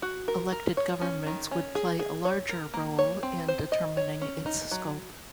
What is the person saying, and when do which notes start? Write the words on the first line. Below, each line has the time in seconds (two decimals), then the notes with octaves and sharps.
Elected governments would play a larger role in determining its scope.
0.02 F#4
0.28 A#4
0.52 A#4
0.77 C#5
1.01 C#4
1.27 D#3
1.51 C#4
1.75 G#4
1.99 G#4
2.25 C#5
2.49 A#4
2.74 A#3
2.99 C#5
3.23 C4
3.48 C5
3.72 D#5
3.97 C#5
4.21 C#4
4.46 D#4
4.71 F#3